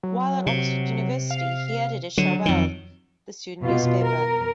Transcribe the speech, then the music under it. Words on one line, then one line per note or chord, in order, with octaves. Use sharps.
While at Oxford University, he edited "Cherwell", the student newspaper.
F#3
C3
F5
D3 F#3
F2 D#3
B2 F4
A#4